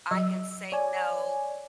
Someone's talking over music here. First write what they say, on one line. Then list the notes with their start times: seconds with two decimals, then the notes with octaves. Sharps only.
I can say, "No."
0.11 F#3
0.72 C#5 D5 G#5